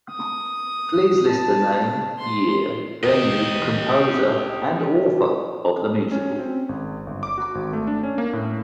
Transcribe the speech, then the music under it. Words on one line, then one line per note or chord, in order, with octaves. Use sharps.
Please list the name, year, venue, composer, and author of the musical.
D#6
A5
C6
G4 D#5
C#4
C4
G#1
G1
D6
F#4
G#1
A3
D4
C#4
A#3
A2